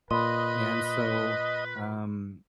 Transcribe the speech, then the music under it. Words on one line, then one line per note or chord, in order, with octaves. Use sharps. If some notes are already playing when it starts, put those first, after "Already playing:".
and so, um
A#2 B4 D#5 B5 C6